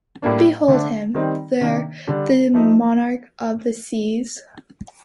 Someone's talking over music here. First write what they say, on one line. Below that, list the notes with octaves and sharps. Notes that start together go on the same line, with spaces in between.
Behold him there, the monarch of the seas!
A2 G3 A#3 D4
D3 A3 D4
D#3 G3 C4 D#4
C3 D#3 A#3 D4
D3 G3 D4
F3 A3 D#4